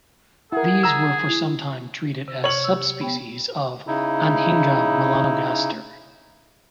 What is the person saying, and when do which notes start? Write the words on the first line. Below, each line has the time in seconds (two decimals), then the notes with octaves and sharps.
These were for sometime treated as subspecies of "Anhinga melanogaster".
0.52 E4 G#4 A#4 F#5
0.83 A#5 E6
1.27 E4
2.28 C3
2.44 C#5 F#7
2.64 G4 E6
3.01 B3 G5
3.87 C#3 D#4 E4